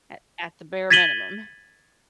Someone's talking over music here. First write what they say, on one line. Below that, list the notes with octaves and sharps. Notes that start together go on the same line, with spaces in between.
at at the bare minimum.
G#6 A6 B6 D#7 F#7 G7